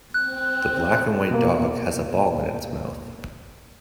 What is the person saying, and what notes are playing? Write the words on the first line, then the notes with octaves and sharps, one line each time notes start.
The black and white dog has a ball in its mouth.
C4 F#6
B2 A#3